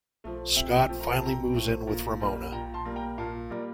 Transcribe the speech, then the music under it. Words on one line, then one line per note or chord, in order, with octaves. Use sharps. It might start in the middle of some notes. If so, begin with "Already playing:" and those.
Scott finally moves in with Ramona.
F3 A3
C3 E5 G5
E5 G5
F3 A3
A#5
A5
C3 G5 A#5
F3 A3
A#2
G3 A#3
A#2 G5 A#5
A5 C6
G3 A#3
G5 A#5
A#2 F5 A5
G3 A#3 A#4 D5